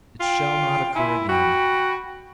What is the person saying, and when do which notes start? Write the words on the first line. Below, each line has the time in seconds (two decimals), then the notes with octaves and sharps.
'It shall not occur again.
0.20 F4 G5
0.95 E4 E5 G#5 C6
1.29 F#4 G5 B5